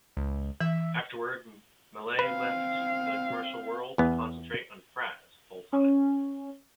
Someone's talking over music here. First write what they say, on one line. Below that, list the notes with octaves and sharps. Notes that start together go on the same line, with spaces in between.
Afterwards, Mallett left the commercial world to concentrate on Frazz full-time.
C#2
E3 E5
C4 B4 F5
E2 B3
C#4